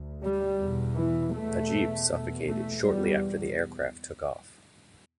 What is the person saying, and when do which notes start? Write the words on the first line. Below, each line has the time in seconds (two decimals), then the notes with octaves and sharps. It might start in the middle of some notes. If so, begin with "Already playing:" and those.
Ageeb suffocated shortly after the aircraft took off.
Already playing: D2
0.22 G3
0.59 E2 B2
0.96 E3
1.34 E2 B2 A3
2.09 E2 B2
2.47 A3
2.84 E2 B2 G3